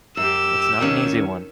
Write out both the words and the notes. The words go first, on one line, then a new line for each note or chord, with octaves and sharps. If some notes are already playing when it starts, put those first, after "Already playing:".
It's not an easy one.
F#2 G4 E6
D#2 D#3 C#4